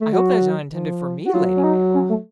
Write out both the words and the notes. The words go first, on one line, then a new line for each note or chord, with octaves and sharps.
"I hope that is not intended for me, Lady Mabel."
A3
F#3 F#4
F3
F#4
F#3 F4
C#4
D#4
C#4
A3